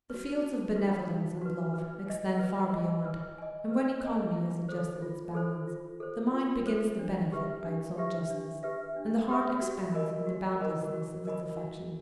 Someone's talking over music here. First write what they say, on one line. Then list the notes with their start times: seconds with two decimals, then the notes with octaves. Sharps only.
The fields of benevolence and love extend far beyond; and when economy has adjusted its balance, the mind begins to benefit by its own justice, and the heart expands in the boundlessness of its affection.
0.10 F#4 B4
0.43 D#4
0.76 F#4 B4
1.08 D#4
1.41 F#4 B4
1.74 B4
2.07 D#5 G#5
2.39 B4
2.73 D#5 G#5
3.05 B4
3.38 D#5 G#5
3.71 B4
4.04 D#5 G#5
4.36 F4
4.69 A4 C5
5.02 F4
5.35 A4 C5
5.67 F4
6.00 A4 C5
6.33 F4
6.66 A4 C5
6.99 D4
7.32 G4 B4 E5
7.64 D4
7.97 G4 B4 E5
8.30 D4
8.63 G4 B4 E5
8.96 D4
9.29 G4 B4 E5
9.61 F#4
9.94 A#4 D#5 G#5 B5
10.27 F#4
10.60 A#4 D#5 G#5 B5
10.93 F#4
11.25 A#4 D#5 G#5 B5
11.58 F#4